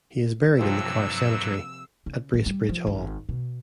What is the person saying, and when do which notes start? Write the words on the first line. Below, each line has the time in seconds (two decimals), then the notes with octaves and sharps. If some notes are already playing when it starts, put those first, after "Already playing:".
He is buried in the Carr Cemetery at Bracebridge Hall.
0.59 G2 C3 F3 F#3 A#3 E6
2.06 C#3
2.34 A1
2.46 G3
2.69 F3
2.87 G#1
3.29 B2